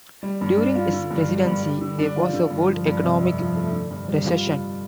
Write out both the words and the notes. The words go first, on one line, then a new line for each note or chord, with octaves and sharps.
During his presidency, there was a world economic recession.
G3
G2
D4
F4
D3
G2
G3
G2
G3
D3
D4
F4
D3
G2
F3
G2
C3
F2
F3
A3
D3
G2
G3
F4